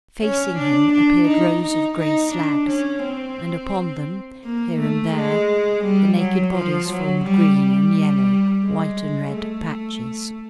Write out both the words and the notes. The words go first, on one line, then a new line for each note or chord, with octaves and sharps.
Facing him appeared rows of grey slabs, and upon them, here and there, the naked bodies formed green and yellow, white and red patches.
C#4
D4
D4
D#4
D#4
D#4
D4
C#4
C4
A#3
A3
G#3
G3
F#3
F3
F#3
G3
G3
G#3
A3